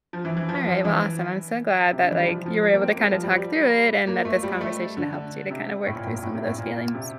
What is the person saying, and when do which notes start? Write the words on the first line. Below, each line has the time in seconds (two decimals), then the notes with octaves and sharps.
Alright, well, awesome. I'm so glad that, like, you were able to kind of talk through it, and that this conversation helped you to kinda work through some of those feelings.
0.13 F3
0.25 E3
0.37 E3
0.49 F3
0.67 F3
0.85 E3
1.92 C3
2.01 D3
2.10 E3
2.19 G3
2.28 F3
2.46 F3
2.73 A#3
2.82 C4
2.91 A#3
3.00 G3
3.12 F3
3.23 G3
3.36 G3
4.07 A#3
4.25 A3
4.43 G3
4.61 A3
4.97 D3
5.51 C3
5.87 A2
5.95 A#2
6.05 A2
6.14 A#2
6.22 A2
6.34 C3
6.46 A2
6.58 A#2
6.95 C3